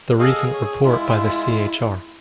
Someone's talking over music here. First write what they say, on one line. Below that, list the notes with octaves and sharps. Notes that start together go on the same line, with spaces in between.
The recent report by the Chr.
G#4 A4 D#5 F5
C#5
G#3 E4 F4